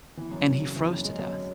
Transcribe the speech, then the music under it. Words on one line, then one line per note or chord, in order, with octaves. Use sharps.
and he froze to death.
E3
F#2
F#2
C#3
E3
F#2
G#3
F#2